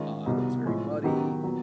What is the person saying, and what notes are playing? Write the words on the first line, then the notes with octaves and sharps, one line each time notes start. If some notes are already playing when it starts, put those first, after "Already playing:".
uh, that was very muddy
Already playing: D#3 G#3 C#4 F4
C2 B2 G3 B3 D#4
A2 F3 G#3
D#3 F#3 B3 D#4 G4
A#2 F#3 B3